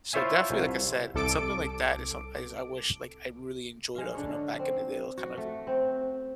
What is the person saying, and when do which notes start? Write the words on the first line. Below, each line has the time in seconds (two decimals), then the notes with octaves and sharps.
So definitely, like I said, something like that is so is I wish, like, I really enjoyed of, you know, back in the day, those kind of
0.13 E4 F4 C5 C#5 E5 G#5
0.51 C2
1.14 C2 A4 D6 D7
3.95 G#3 F5
4.15 D3 D4 C#5
4.59 C4
5.17 F#4
5.38 A3
5.67 C4